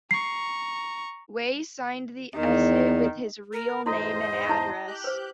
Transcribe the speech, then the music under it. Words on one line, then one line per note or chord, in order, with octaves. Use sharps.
Wei signed the essay with his real name and address.
A#5 C#6 C7
E2 D#3
A#4
E2 G#2 E4 F#4 A4 C5 D#5
E4 A5
G4 F#6 G6
B4 C5